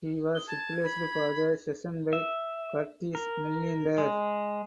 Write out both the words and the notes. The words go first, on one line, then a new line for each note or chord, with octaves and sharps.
He was replaced for the season by Curtis Millender.
D#6 G7
A5 G#6
B5
E5
A#4
G#3